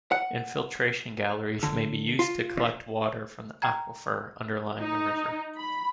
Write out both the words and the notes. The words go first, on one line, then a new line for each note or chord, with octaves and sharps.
Infiltration galleries may be used to collect water from the aquifer underlying a river.
F#5
D3
F4
G5 G#5 A#5 G#6
D#4
B5